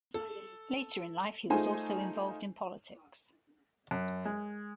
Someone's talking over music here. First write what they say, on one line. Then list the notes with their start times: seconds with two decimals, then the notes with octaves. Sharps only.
Later in life he was also involved in politics.
0.14 A4
1.50 A3 D#4 F4 G#4 C5 G#5
3.91 F#2
4.25 G#3